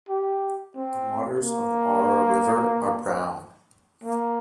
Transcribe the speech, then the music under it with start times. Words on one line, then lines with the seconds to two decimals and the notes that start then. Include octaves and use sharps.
The waters of the Aura river are brown.
0.09 G4
0.76 C4
1.40 A#3
4.04 A#3